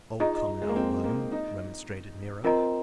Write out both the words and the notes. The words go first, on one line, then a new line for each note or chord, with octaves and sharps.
"Oh, come now, William," remonstrated Nero.
D#4 F4 G#4 D#5 A#5
G#3
A#3
C4
A#3
D#4
C4 F4 A#4 D#5 A#5